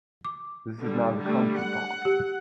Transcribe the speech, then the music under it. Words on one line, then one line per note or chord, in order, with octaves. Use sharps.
This is now the Country Park.
D6
D3 G3
D3 G3 A3
F#5
G4